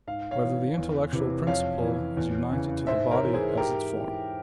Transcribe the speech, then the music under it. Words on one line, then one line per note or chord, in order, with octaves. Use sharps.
Whether the Intellectual Principle Is United to the Body As Its Form?
G#2 F5
C#5 F5
E3
E2
C3 E3
F2 C#5 F5
E3
E2
C#3 E3
G#2 C5 E5
A#4 C#5
E3
G#4 C5
G#2 G4 A#4
E3